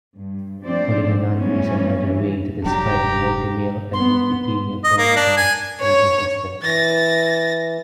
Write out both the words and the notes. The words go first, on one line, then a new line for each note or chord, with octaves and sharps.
Polygynandry is another way to describe a multi-male and multi-female polygamous mating system.
G2
F3 A3 C4 D4 C5 D5
E3 F#3 G3 A3 B3 C#4
E3
F1 F#3 D4 G4 A#5
B3 C6
D#5
A#3
D4
G#5
C#5
E3 A6 A#6